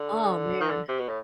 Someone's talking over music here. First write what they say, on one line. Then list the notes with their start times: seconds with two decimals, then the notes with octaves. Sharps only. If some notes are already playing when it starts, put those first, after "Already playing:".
Oh, man.
Already playing: D3
0.61 D#3
0.70 D3
0.88 C3
0.99 B2
1.08 A2